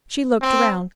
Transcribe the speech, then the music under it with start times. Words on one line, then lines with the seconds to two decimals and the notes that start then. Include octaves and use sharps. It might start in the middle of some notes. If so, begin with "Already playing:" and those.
She looked around.
0.42 C4